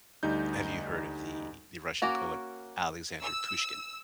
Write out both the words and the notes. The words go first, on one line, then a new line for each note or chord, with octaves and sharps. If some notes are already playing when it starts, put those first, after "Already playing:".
have you heard of the the Russian poet Alexander Pushkin?
D2 G3 D#4 G6
A#3 C#4 F#4 A#4
E6